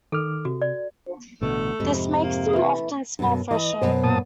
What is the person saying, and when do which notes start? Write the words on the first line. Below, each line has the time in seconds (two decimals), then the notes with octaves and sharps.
This makes them often smell fresher.
0.12 D#3 A4 D6 F6
0.45 C3 F#4
0.62 D5
1.41 A1 B2 D3 A3
1.80 F2 G#2 C3 D#5 B5 C#6
2.23 A#3
2.53 E3 A3
3.19 F#2 B2
3.51 E3 D#5
3.81 F#2 B2 C5
4.04 A#2 A5 D#6